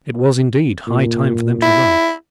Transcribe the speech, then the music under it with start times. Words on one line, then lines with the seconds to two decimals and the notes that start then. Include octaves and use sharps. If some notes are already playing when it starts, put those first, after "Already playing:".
It was, indeed, high time for them to run.
0.87 A#2
1.62 E4